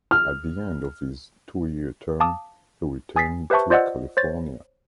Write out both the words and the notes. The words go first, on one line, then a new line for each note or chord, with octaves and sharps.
At the end of his two-year term, he returned to California.
F6
F5 A5 D6 D#6
G#5 D#6 A6 B6 C7
G4 B4 C5 E5 A5 C#6
F4 C5 D5 D#5 F#5 E6
C5 C#5 A6